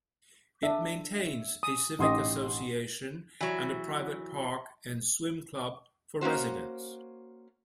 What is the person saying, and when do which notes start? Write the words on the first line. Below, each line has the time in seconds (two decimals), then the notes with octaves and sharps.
It maintains a Civic Association and a private park and swim club for residents.
0.63 D4 E5
1.63 D#6
1.99 A1 D#4 G4 D#5 C6 D#6
3.41 E3 F#3
6.21 A#3 C#4 F#4 C5